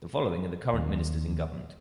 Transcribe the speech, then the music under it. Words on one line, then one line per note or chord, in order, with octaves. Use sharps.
The following are the current ministers in government.
D#2